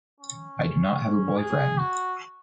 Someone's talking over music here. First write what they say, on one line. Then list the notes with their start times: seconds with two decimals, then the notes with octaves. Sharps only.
I do not have a boyfriend.
0.20 C#4
1.38 G#4
1.78 F#4